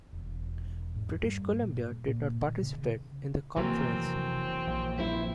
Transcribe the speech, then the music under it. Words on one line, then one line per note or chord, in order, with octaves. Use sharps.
British Columbia did not participate in the conference.
E1
G#2
G2
A#2
A#2
D#3
C#3
F1 E3 F#3 A#3 C4
A#1
E4 C5 E5